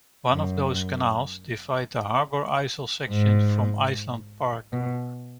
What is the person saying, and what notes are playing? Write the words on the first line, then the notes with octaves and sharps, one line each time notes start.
One of those canals divides the Harbor Isle section from Island Park.
F#2
G#2
B2